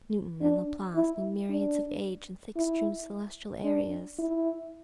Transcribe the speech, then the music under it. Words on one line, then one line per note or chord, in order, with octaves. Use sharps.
Newton and Laplace need myriads of age and thick-strewn celestial areas.
D4
E4
D4
E4
D4
E4